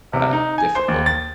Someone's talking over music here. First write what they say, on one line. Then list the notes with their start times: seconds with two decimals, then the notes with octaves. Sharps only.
uh, difficult.
0.13 C3
0.33 D#4
0.58 G#5
0.75 C5
0.88 D#2
1.06 A6